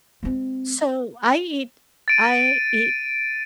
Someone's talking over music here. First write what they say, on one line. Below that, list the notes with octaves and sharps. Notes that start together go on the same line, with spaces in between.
So, I eat I eat
G#3 C4
A6 D7 D#7